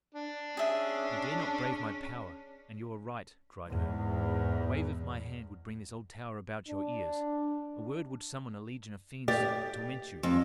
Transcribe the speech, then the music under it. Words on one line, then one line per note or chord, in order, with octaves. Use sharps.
"You dare not brave my power, and you are right," cried Herne--"a wave of my hand would bring this old tower about your ears--a word would summon a legion of fiends to torment you."
D4
C#4 G#4 E5
E2 G#2
D4
G4 D5
F2